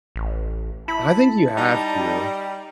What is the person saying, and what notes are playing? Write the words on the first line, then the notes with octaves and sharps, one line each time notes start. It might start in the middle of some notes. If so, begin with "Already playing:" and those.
I think you have to,
A1
E4 A5 B5
G3 D#4